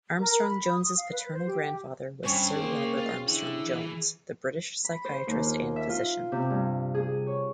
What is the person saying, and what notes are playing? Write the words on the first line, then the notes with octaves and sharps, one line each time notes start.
Armstrong-Jones's paternal grandfather was Sir Robert Armstrong-Jones, the British psychiatrist and physician.
A#4
B5
D#6
F5
B4
C5
G4
G2 C4 C#4 C#5
A#3 G#4 C5 D5
F4
D3 E4
E3
B5
C5
D#2
F4
E5
F4
C3
G2
G#4
C#5